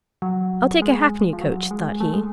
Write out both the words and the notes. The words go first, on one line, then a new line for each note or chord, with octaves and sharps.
"I'll take a hackney-coach!" thought he.
F#3
G#3
F3
F#3
G#3
A3
G#3